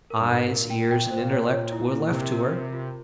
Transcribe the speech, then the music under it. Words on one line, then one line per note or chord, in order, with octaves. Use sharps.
Eyes, ears, and intellect were left to her.
A#4
G2
G#2 A#4
A#2 A#4
G5
A#2 G5
A#2
C5
A#2
C#5
C#5
E4
E4
C3 A#4
A#4
F4
F4